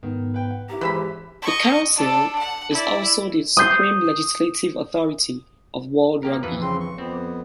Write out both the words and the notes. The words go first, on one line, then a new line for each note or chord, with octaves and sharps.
The Council is also the supreme legislative authority of World Rugby.
G#2 D#3 B3
B4 G5
F#5
E4 G4 A#4 A#5
G#1 E3 G#4 B4 C5 E5 B5
D#5 C#6
D4 A4
F#5
E4 D5
D#6 G6 C7
A#3 G4 A#4
F2 E3 B4
C#3 C4 C6
C#6
F2 B3 C4